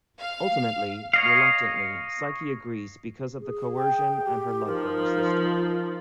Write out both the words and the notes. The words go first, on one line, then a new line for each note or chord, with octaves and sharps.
Ultimately, reluctantly, Psyche agrees because of the coercion and her love for her sister.
F5
C#5 D#5 F5
G#4
G5
G4
F3 D#4 A#4